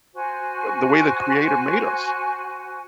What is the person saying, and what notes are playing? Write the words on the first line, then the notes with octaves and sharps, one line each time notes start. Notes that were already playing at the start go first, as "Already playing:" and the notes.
the way the creator made us,
F#4 C5 G#5